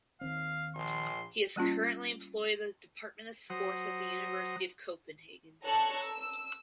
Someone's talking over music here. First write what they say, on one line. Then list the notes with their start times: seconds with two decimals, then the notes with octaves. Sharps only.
He is currently employed at the Department of Sports at the University of Copenhagen.
0.21 D#2 C4 F5
0.75 A#1 C6
1.56 G3 A#3 C#4 F4
3.50 F#3 C5 F#5 A#5 D#6
5.64 A4 C#5 A5 A#5 C#6 F#6
6.03 E6